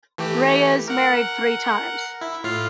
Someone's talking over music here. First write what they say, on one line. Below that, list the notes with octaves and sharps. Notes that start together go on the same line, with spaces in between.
Reyes married three times.
E3 A3 G4
A#4 F#5
E4
A2 F4 F5